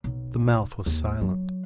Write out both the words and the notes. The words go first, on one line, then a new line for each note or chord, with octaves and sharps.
The mouth was silent.
B1
D#2
F#3